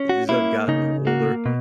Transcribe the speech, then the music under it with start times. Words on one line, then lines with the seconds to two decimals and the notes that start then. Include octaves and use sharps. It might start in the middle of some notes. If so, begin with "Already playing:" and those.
as I've gotten older,
Already playing: C#4
0.09 F#4
0.29 A#3 E4
0.68 C#3 D#4
1.07 A#3 F#4
1.46 B2